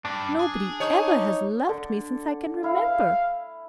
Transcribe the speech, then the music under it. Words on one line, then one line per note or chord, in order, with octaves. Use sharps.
Nobody ever has loved me since I can remember.
G2 D4
G#4
D#4 C#5
D3
E4 F5